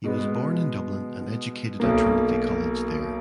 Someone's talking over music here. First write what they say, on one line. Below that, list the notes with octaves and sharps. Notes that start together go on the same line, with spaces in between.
He was born in Dublin and educated at Trinity College there.
B2 G#3 B3
B1 B2 A#3